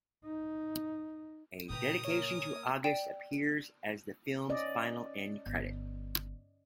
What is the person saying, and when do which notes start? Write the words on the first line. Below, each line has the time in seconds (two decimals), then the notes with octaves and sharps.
A dedication to August appears as the film's final end credit.
0.25 D#4
1.70 A#2 C#3 B4 G5 A#5 D#6
2.05 A#3 A#4 C#5 G#5
2.84 D5 G5
4.49 C#4 D5 D#5
5.46 G1